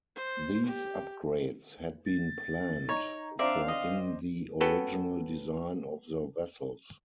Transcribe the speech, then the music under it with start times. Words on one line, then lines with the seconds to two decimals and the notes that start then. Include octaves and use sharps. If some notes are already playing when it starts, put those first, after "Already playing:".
These upgrades had been planned for in the original design of the vessels.
0.16 C5
0.66 G4
2.06 A6
2.89 D#4 C#5 A#5
3.39 C4 D4 D5 E5 F5 A#5
3.68 D#5
4.61 B3 C#4 F#4 A4 B4 G5